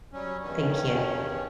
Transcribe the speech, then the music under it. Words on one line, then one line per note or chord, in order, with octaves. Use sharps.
Thank you.
F#3 G3 C#4
E2 G2 D#3 C#4